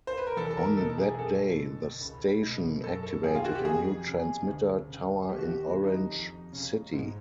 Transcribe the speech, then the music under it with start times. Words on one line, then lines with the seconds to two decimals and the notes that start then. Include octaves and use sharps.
On that day, the station activated a new transmitter tower in Orange City.
0.07 C5
0.17 B4
0.27 A#4
0.37 E2 A4
0.51 A4
0.57 A#4
0.77 B2 A4
0.98 G#4
1.15 G#4
1.18 F#2 A4
1.59 D3
2.01 C#2
2.42 B2
2.83 F#2 A4
3.03 A4
3.24 D#3 G#4
3.35 F4
3.45 F#4
3.55 G4
3.65 F2 G#4
4.06 C#3
4.47 D2
4.88 C#3
5.29 D#2 G4
5.38 F#4
5.48 G4
5.70 C#3
5.84 D#4
6.12 F2
6.52 C#3
6.93 G#2